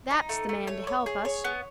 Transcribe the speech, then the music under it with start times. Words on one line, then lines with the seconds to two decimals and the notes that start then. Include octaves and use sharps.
That's the man to help us.
0.11 D#4
0.29 A3
0.49 A3
0.67 C#5
0.87 C#5
1.06 G#4
1.25 C#5
1.44 B3